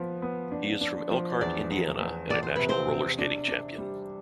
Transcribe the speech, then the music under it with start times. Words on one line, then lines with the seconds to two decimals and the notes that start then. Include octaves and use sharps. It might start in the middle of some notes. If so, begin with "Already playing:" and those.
He is from Elkhart, Indiana and a national roller skating champion.
Already playing: F3 B3
0.22 B3
0.52 D4
0.81 D4
1.11 F3
1.41 E2 D4 D5
1.70 E2
2.00 E2
2.30 E2 D5
2.43 C5
2.56 C3 B4
2.69 C4 C5
2.89 C3
3.19 D4
3.48 D4
3.78 G3